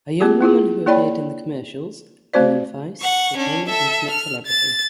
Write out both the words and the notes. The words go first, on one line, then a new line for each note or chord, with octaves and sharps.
A young woman who appeared in the commercials, Ellen Feiss, became an internet celebrity.
A#3 C4 F4 G4 G#4
A#3 E4 F4 G#4
A#3 E4 C#5 D5 G5 B5
A3 C4 F#4 C5 D5
F#5 C#6
C#4 D4
A4 E5
F6
A6